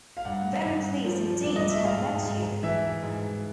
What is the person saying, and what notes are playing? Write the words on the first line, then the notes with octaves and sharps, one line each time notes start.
Very pleased indeed to have met you.
F5
G2 F#5
G2
F3
G2 D5
D#5
E5
G#2 F5
G#2
E3 E5
G#2